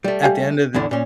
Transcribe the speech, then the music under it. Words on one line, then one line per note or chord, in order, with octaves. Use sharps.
at the end of the
G3 A3
G4 F5 G#5
E2 A2 D3
A#2 C#4